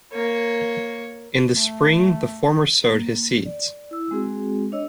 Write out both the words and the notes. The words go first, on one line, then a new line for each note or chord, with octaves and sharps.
In the spring, the former sowed his seeds.
A#3 C#5
A3
A#3
D5
E4 E6
G#3 C4 F#4 G#4
D4 C#5 D#5 E6